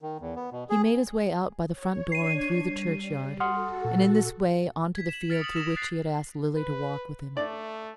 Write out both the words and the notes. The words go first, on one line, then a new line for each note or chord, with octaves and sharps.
He made his way out by the front door, and through the churchyard, and in this way on to the field through which he had asked Lily to walk with him.
D#3
E2
B3
B2
G#4
C#5
D4 C#5 G#6 C7 D#7
G3
F#4 A4 F#5 C6 D#6 F6
A#2
G#6 B6
E7 F#7
F6 A6 B6 C#7 D7 F7
D#6 F#7
E6 A#6 B6 E7
F#6 A6 C7
B4
A3 D5